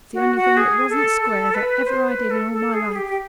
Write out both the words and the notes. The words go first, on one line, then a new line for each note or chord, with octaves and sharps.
It's the only thing that wasn't square that ever I did in all my life.
F#4
F#4
G#4
A4
A4
B4
C5
B4
A4
A4
G#4
G#4
G4
G4